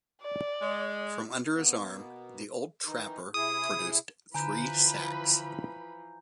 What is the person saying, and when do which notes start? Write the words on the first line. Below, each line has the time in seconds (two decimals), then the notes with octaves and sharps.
From under his arm the old trapper produced three sacks.
0.22 D5
0.61 G#3
1.54 B2 A#3 B3
2.86 D#3 E3 D#4
3.34 C3 E4 G#4 D#6
4.34 D3 E3 F3 B4 G#5 A#5 B5 G6